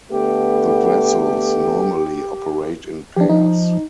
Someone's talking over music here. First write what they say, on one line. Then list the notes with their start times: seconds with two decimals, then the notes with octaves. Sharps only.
The vessels normally operate in pairs.
0.10 D3 A3 B3 G4
3.16 F3 D4 G4
3.29 F3 D#4